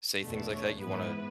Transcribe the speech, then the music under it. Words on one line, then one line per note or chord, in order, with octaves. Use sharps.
say things like that, you want
E2 B2 A3 D4
C#5
G#2 E3 B3 E4 B4